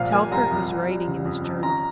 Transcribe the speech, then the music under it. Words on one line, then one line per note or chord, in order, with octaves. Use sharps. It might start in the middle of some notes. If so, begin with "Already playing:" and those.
Telford was writing in his journal.
Already playing: C2 A#2 F3 F5
A#3 G#5
C2 A#5
F2
F2
G3
C#3
F2
F2
C#4 A#5